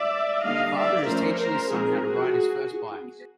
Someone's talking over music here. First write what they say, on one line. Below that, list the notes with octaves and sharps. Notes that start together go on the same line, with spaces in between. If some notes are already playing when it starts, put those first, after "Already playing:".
A father is teaching his son how to ride his first bike.
Already playing: D5 E5
D3 G3 A#3 D4 D#5 F5
D5 E5
F3 A3 C#4 A#4 C5
A#4 C5
F3 G#3 C4 D#4 G#4 A#4
F#4 G#4